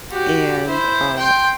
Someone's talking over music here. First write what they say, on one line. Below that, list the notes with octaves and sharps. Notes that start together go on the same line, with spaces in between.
and, um
F#4 G4
E4 C5
G5 C6